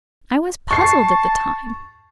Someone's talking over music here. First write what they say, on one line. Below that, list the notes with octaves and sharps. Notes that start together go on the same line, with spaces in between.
I was puzzled at the time.
A5 C#6 C7